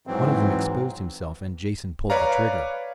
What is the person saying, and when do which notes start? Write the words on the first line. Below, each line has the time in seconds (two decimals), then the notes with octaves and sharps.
One of them exposed himself and Jason pulled the trigger.
0.07 G#2 E3 F#3 C4
2.10 B4 C#5 D5 F5 A#5